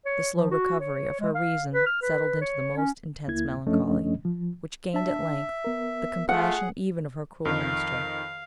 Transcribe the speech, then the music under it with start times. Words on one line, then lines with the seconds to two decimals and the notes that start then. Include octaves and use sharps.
The slow recovery of her reason settled into the most intense melancholy, which gained at length the compassion even of her cruel master.
0.05 C#5
0.35 F3
0.51 F#4
0.80 C#5
1.20 G#3
1.35 F5
1.74 B4
1.86 F6
2.02 B4
2.41 C#5
2.76 C#4
3.27 D2 A#3 E4 G#6
3.66 F#2 F3 A3 C#4 D4 D#5
4.25 F3
4.94 D4 E5 A5
5.64 B3 A#4
6.29 A3 F4 G#4 F#5
7.45 F2 D#3 F5